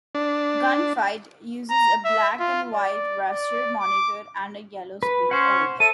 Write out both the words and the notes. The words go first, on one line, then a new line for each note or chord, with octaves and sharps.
"Gun Fight" uses a black-and-white raster monitor and a yellow screen overlay.
D4
A#5
E5
F4
D5
D5
D6
B4
C#4 C5 F#5
A4 E5 D#7